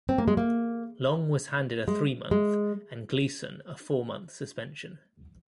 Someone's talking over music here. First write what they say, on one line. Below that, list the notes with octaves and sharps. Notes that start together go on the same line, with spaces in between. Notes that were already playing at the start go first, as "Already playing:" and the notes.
Long was handed a three-month and Gleeson a four-month suspension.
C4
A#3
G#3
A#3
G#3
G#3